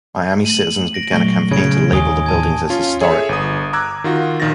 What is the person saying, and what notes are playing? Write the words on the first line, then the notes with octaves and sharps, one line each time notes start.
Miami citizens began a campaign to label the buildings as "historic".
A3 D#7 F#7
A#6 D7
A#2 F#3 A3 C#6 D7 G7
C#3 G#6 D7
D#2 G#5 D#6 G7
A2 A5 G#6
C#4 F4
G#4 A4 C#5 E5
G1 D#6
A#5 D6 E6 F#6 G#6
D#3 F4 F#4
A#1 D#3 F5 A6 A#6